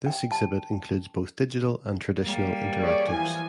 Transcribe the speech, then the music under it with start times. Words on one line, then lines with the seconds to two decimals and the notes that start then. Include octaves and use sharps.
This exhibit includes both digital and traditional interactives.
0.06 G5
0.32 A5
2.22 G3 A#3
2.78 G#4 C#5 D5
3.09 E3 F3 G#5